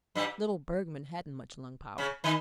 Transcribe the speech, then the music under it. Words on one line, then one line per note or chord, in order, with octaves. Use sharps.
Little Bergmann hadn't much lung power.
G2 G3
C#3 C#4
D#3 D#4